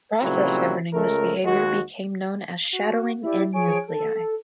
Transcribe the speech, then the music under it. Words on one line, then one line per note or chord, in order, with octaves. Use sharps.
The process governing this behavior became known as shadowing in nuclei.
A#2 C#3 F#3 G3 C4 E4
C#2 A3 A#4
D#2 G#3 F#4
F#4
E4 G4 D5
F3 G#4 C#5 G#5 D7
A4